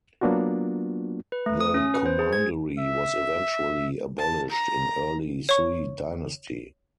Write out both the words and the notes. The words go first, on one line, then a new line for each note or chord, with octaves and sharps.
The commandery was eventually abolished in early Sui dynasty.
F#3 A#3 B3 D4 F4 F#4
B4
A3
D#6
C#4
B4
C5
G#4
G#6
E5
A5
A#5
C#5 C#6